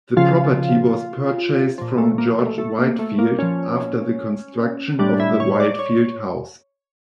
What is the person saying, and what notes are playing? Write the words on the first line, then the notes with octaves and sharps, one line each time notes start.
The property was purchased from George Whitefield after the construction of the Whitefield House.
C#3 F3 F4
A#2 F3
A3
A#3
A3
A3
A#3
A3
A#3
A#2 F3 C#4
A2 G3 D4
E4
C#5
D5
C#5